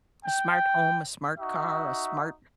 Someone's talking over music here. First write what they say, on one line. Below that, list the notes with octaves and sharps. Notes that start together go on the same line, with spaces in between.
A smart home, a smart car, a smart
G5
D#4 F#4 E5